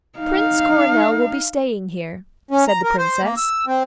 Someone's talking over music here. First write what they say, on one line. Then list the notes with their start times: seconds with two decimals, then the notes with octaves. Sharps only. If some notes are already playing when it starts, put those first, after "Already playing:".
"Prince Coronel will be staying here," said the Princess.
0.19 D#4 F5
2.51 C#4
2.68 A#5
2.83 A#4
2.98 C5
3.23 A#3
3.37 E6
3.67 C4